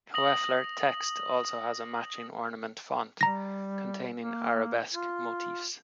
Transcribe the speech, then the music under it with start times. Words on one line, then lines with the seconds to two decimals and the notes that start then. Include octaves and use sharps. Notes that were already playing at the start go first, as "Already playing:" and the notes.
Hoefler Text also has a matching ornament font containing arabesque motifs.
0.14 D#6 A#6 F#7
3.21 G3 A#5 A#6
4.21 A#3
4.94 F4